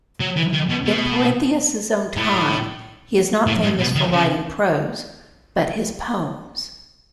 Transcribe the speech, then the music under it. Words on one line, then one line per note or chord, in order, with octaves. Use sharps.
In Parthenius' own time he is not famous for writing prose but his poems.
F#3
E3
D#3
B2
B2
A2
A2
G#2
B2
D#3
C#3